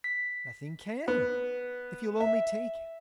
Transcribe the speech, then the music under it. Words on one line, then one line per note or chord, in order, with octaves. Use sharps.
"Nothing CAN--if you'll only take it..."
B6
B3
E5